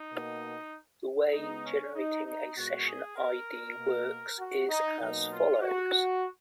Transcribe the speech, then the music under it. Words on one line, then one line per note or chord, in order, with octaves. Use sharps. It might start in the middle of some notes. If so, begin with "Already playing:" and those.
The way generating a session id works is as follows.
Already playing: D#4
B2 A#3
C#3 G#3 B3 D#4
C#4
D#4
D#4
A#2 G#3 B3 F#4
G#4
A#4
B2 A#3
F#4
D#4
B2 F#3 A#3 D#4
F4
F#4